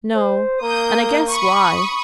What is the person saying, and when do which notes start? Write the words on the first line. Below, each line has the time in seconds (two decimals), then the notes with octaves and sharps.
'No; and I guess why.
0.15 C5
0.62 A#3 D#6 G6
1.30 B5 C#6 D#6